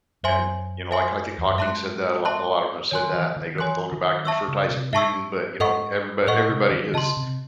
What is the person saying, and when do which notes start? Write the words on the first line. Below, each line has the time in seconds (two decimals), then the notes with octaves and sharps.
And, you know, like, I think Hawking said that a lot a lot of them have said that, and they go they'll go back and refer to Isaac Newton, but, you know, he everybody everybody has
0.23 F#2 C5 E5 G#5 C6
0.91 C5 E5 G#5 C6
1.38 E2
1.48 F#2
1.58 G#2 E5 A5 C6 F#6
2.25 E5 A5 C6 F#6
2.91 D#3 C#5 G#5 C6 F#6
3.15 E3
3.36 D#3
3.58 E3 C#5 G#5 C6 F#6
3.92 D#3
4.25 E5 A5 C#6 E6
4.48 C#3
4.71 C3
4.93 G#2 E5 A5 C#6 E6
5.60 G#2 A4 D#5 F#5 C#6
6.27 A2 A4 D#5 F#5 C#6
6.49 C3
6.71 D#3
6.94 C#3 D#5 A5 C6
7.17 C3